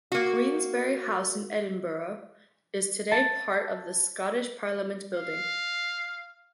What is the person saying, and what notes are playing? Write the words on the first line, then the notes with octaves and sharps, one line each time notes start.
Queensberry House in Edinburgh is today part of the Scottish Parliament Building.
A#3 F#4
A5
F5